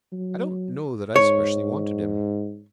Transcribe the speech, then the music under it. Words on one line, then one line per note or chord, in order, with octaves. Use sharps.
I don't know that I specially wanted him.
F#3
G#2 C#5